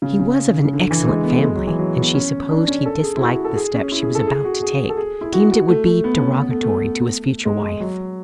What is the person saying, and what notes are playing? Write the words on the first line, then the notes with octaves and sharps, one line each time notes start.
He was of an excellent family, and she supposed he disliked the step she was about to take--deemed it would be derogatory to his future wife.
C#3
C#3
C#3
D3
E3
G#3
B3
A3
G#3
F#3
E3
F#3
B3
C#4
D4
C#4
A4
G#4
E4
F#4
A4
G#4
C#4
E4
G#4
A4
G#4
F#4
G#4
A4
G#4
E4
F#4
F#4
A3
A3
B3
C#4
B3
A3
A3
G#3
G#3
F#3